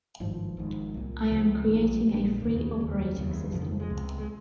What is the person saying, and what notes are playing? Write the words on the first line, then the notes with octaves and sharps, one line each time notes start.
I am creating a free operating system.
G#1 G2 F3
G#1 G#2
C2 A#2
C#2 C3 F3
A#1 A#2 D#3
F3
G3
A#1 A#2 G#3
G3
G#3
F1 D#2 C#3 A#3
F1 D#2 C#3
F1 D#2 C#3
F1 F2 C#3 F3
D#3
F3
G#3
C#2 C3
G#3